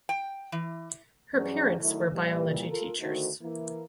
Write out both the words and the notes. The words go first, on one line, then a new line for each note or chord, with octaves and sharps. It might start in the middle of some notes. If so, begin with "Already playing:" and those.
Her parents were biology teachers.
G5
E3
G2 E3 F#3 C#4 G#4 D5
D#3 F#3 A3 E4
A#2 E3 G3
F4 A4 A#4
D3 D#3 A3 D#4 F#4 C5
E3 A#3 E4